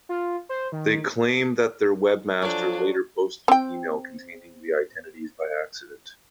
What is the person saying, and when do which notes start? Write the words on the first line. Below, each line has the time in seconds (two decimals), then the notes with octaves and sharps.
They claim that their webmaster later posted an email containing the identities by accident.
0.09 F4
0.49 C5
0.72 D#3
2.42 F3 F#3 D4 A4 G#5
3.48 C4 G5